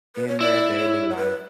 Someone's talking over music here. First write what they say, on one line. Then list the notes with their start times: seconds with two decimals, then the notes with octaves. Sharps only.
in their daily life.
0.16 B4
0.28 C#5
0.40 E4 D5
0.79 C#5
1.10 C#5
1.17 B4